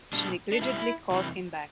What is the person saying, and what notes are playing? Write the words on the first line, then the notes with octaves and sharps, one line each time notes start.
She negligently calls him back.
B2 G3 D4
D4
B2 G3 E4
E2 C3 E3 G3